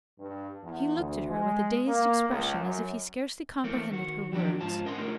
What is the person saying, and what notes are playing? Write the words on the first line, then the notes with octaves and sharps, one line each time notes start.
He looked at her with a dazed expression, as if he scarcely comprehended her words.
G2
E2
D2
G#3
A#3
C#2
F#2
E3 A3 A#3 C4
D#3 F#4
E2 F3 F#3 D4 F#4 G4
G#2 F4 C5 F5 A5
C#4 A#4 D#5 F#5 G#5 C6
A3 D#4 F4 G4 G#4 A#4